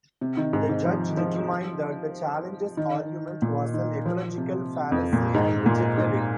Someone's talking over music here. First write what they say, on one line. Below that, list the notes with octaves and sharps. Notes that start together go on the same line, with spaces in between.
The judge determined that the challengers' argument was an ecological fallacy and rejected it.
C3
D#3
G#2
G#2
F3
F3
D#3
A#2
D#3
F3
C3
F2
A#2
G#2
A#2
G#2